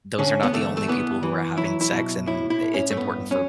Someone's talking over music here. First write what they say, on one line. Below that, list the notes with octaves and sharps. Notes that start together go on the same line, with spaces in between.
those are not the only people who are having sex, and i it's important for
D3 C#4
B3
E2 A3
A3
E3 B3
E3
F#3 E4
E4
B2
A2 E4
E4
A2
C#4
A3
G2 B3
F#3 C#4